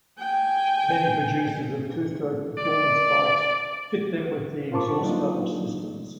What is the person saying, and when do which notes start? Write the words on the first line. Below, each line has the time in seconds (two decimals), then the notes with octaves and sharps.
Many producers of two-stroke performance bikes fit them with the exhaust valve systems.
0.18 G5 G#5
2.58 D5
4.72 F4 A#4 C5 A5 C#6 D6
5.01 F#3 G3 A#3 D4 D#4 F4